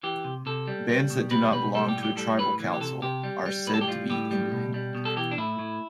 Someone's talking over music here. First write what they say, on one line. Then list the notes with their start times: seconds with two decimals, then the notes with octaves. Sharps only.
Bands that do not belong to a tribal council are said to be "independent".
0.03 E3 G4
0.25 C3
0.46 C3 A4
0.67 G3
0.89 G3
1.10 B2
1.31 G3 B4
1.53 B2 B4
1.75 G3 A4
1.89 G4
1.96 A2
2.03 G4
2.17 G3 A4
2.38 A2 B4
2.60 E3
2.74 G4
2.81 C3 A4
3.02 C3 G4
3.24 G3
3.46 G3
3.67 A2 B4
3.74 A4
3.81 G4
3.88 G3 F4
4.10 A2 G4
4.31 G3
4.52 B2
4.74 G3
4.95 B2
5.05 A4
5.16 E3 G4
5.31 D4
5.38 A2 E4
5.59 A2